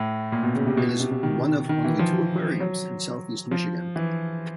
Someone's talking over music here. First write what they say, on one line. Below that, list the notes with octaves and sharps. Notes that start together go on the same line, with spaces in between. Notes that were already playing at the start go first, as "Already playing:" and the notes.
It is one of only two aquariums in Southeast Michigan.
Already playing: A2
A#2
B2
C#3
C3
B2
B2
C3
C3
D#3
D#3
E3
F3
F#3
F3
E3